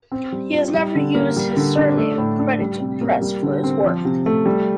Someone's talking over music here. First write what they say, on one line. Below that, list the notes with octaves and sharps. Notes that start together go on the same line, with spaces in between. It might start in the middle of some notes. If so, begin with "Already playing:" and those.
He has never used his surname in credits or press for his work.
C4
G3
F4
G3
D3
A#3
G3
D3
D4
A3
A2
D4
G3
C3
A#3
G3
D3
C4
F3
C3
A3
G3